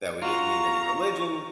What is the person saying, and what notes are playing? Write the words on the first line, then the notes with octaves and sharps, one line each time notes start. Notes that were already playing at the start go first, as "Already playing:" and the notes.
that we didn't need any religion,
F4 F#4 A#5 C#6